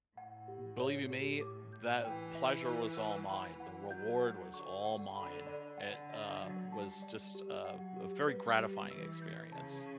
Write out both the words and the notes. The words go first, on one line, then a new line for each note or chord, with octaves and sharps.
believe you me, that pleasure was all mine. The reward was all mine. It, uh, was just a a very gratifying experience.
A2 F#5
G4
C#5
G4
D6
G6
E3 G5
E5
F#6
F#5
E3 B5
F#5
F#3 G6
F#5
D3 C#6
F#5
D3 B5
D5
D3 F#5
D5
F#3 F#5
G3 A5
D5
G4
F#3 F#5
G4
G3 B4
G4
E3 E6
G6
C#3 A5